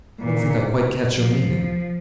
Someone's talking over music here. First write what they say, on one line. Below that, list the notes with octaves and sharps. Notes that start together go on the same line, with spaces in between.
I don't think I quite catch your meaning.
A#2
F3